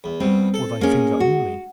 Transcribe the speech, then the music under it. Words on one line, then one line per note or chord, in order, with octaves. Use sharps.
Or thy finger only!
E2
C2 B2 C4
A4
G#3 A#3 C#4
F#4